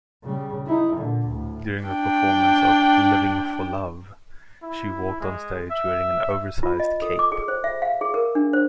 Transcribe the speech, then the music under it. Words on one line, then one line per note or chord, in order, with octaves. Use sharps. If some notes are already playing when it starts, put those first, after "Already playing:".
During the performance of "Living for Love", she walked onstage wearing an oversized cape.
C#3 G3
D#4 E4
A#2 D3
D2 A2
D4 G5
E4
G#3
E5
F4
D#5
A4
D6
G#4
C5
E5
F5
G#4
A#4
D4
C5